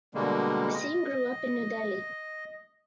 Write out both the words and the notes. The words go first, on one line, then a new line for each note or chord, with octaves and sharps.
Singh grew up in New Delhi.
B2 D3 G3 G#3 A#3
D#5